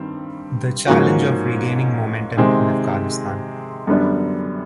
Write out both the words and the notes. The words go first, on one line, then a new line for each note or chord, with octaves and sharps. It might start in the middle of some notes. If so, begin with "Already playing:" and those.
The Challenge of Regaining Momentum in Afghanistan.
Already playing: G2 D#3 G3 C4
G#2 F3 A#3 C#4 F#4
C3 D#3 G#3 C4
F#2 D3 G3 B3 D4